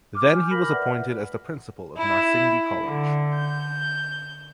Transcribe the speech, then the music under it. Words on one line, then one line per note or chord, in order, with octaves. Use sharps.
Then he was appointed as the principal of Narsingdi College.
D6 F6
G#5 F6 G6
A#4 B5 F6 A#6 B6 F#7
B4 D5 E5 F#5
E4
D3
G6